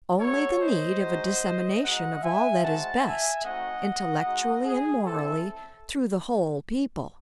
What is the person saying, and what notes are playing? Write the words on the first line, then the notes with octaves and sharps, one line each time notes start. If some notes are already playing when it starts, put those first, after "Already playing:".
Only the need of a dissemination of all that is best, intellectually and morally, through the whole people.
A3 D#4 F#4 A4 C#5
C5 D#5
G#3 D#4 F#4
G#3 D#4 F#4 D#5 F#5
E5 G#5
G#3 C4 D#4 F#4 F#5 A5
E5 G#5
A3 C4 D#4 F#4 D#5 F#5
G#3 D#4 F#4
G#4
C4 E4 A4